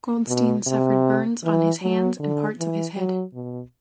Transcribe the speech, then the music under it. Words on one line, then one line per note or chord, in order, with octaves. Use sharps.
Goldstein suffered burns on his hands and parts of his head.
B2
C3
E3
F#3
D3
E3
F#3
B2